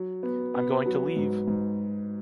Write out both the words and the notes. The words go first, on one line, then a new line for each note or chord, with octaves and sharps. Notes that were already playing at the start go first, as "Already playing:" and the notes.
I’m going to leave! ...
Already playing: F#3
B3
B3
F#3
G#2
G#2